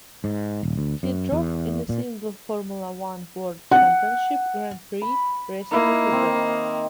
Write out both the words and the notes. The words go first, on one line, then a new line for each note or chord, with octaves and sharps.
He drove in a single Formula One World Championship Grand Prix, racing a Cooper.
G#2
D#1
D2
F#2
E2
A#2
F#5
B5
A#3 D#4 E4
D#3 C4 D#5